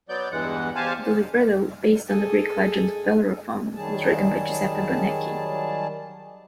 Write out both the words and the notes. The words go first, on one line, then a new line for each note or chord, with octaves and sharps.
The libretto, based on the Greek legend of Bellerophon, was written by Giuseppe Bonecchi.
F#3 B3 D5 G6
E2 G2 E3 G#3 F#5
E2 G4 C5 F5 G#5 A5
G#4 A4
D#3 F#3 G3 G#4 A5